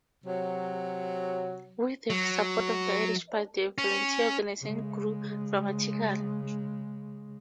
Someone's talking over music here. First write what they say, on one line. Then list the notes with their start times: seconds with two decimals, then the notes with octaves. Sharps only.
With the support of the Irish Party the Volunteer organisation grew dramatically.
0.24 C3 F#3
2.10 F#3
3.78 C#4
4.61 C#3 G#3